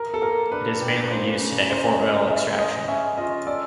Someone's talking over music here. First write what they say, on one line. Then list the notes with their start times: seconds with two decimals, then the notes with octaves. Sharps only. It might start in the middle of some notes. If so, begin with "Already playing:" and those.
It is mainly used today for oil extraction.
Already playing: A#4
0.14 A4
0.21 A#3 A#4
0.52 D4 B4
0.81 G4
1.03 B4
1.11 C#3 C5
1.40 C#3
1.69 E3 C5
1.99 G#3 C#5
2.29 G#3 E5
2.58 G#3 D#5
2.88 C#4 E5
3.17 F4 D#5
3.46 A4 D5